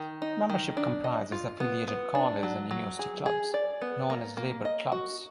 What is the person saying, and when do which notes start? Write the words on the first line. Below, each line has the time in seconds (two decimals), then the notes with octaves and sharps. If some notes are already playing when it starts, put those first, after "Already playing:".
Membership comprises affiliated college and university clubs, known as Labour Clubs.
Already playing: D#3
0.22 D#4
0.50 D#3
0.77 D4
1.04 D#5
1.32 F4
1.60 B3
1.88 B3
2.15 D4
2.43 F#3
2.71 F#3
2.99 G#4
3.26 G#4
3.54 D5
3.82 B3
4.10 A#3
4.37 A#3
4.65 D#5
4.92 F#4